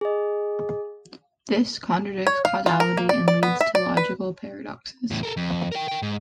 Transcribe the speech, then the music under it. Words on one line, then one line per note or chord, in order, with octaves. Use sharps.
This contradicts causality and leads to logical paradoxes.
G#4 D#5
C#5
F5
F4
A#4
A#3
D5
D5
B3
E5
D5
B4
E2 A2
A4 A#4
F2
A#4 G5
A#4 G5
G#2